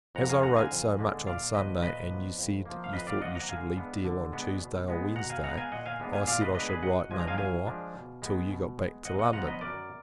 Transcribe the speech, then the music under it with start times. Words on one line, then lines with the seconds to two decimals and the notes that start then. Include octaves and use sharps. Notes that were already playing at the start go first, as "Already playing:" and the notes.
As I wrote so much on Sunday, and you said--you thought you should leave Deal on Tuesday or Wednesday, I said--I should write no more till you got back to London.
0.15 F2 F#5 A#5
0.29 F5 G#5
0.43 D3 G#3 B3 D4 F#5 A#5
0.56 F5 G#5
0.71 F2
0.99 D3 G#3 B3 D4
1.27 A#2 D5 F5
1.54 F3 B3 D4 B4 D#5
1.82 A#2 B4 D#5
2.10 F3 B3 D4
2.38 F2
2.65 F3 A#3
2.84 F5
2.93 F2 B4 D#5
3.07 D5 F5
3.21 F3 A#3 D#5 F#5
3.35 F#5 A#5
3.49 D3 F5 G#5
3.77 G#3 B3 D4
4.04 D3
4.32 G#3 B3 D4
4.61 B2
4.88 G#3 B3
5.16 B2 F#5 A#5
5.30 F5 G#5
5.44 G#3 B3 F#5 A#5
5.57 F5 G#5
5.72 A#2 D#5 F#5
5.86 F5 G#5
6.00 G#3 B3 D4
6.13 F5 G#5
6.27 A#2 D5 F5
6.41 B4 D#5
6.55 G#3 B3 D4 B4 D#5
6.69 G#4 B4
6.83 F#2 D#5 F#5
7.11 F3 G#3 D4 G#5
7.20 A#5
7.27 F5 G#5
7.38 F#2 F5 G#5
7.67 F3 G#3 D4
7.94 B2
8.22 G#3 B3
8.49 B2
8.78 G#3 B3
9.05 F#2 D#5 F#5
9.19 D#5 F#5
9.33 F3 B3 D4 F#5 A#5
9.47 B4 D#5
9.61 F#2 A#4 D5